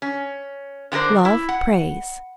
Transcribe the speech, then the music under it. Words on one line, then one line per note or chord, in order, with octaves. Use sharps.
Love prays.
C#4
D3 B3 D4 A#4 C5
E4
F#5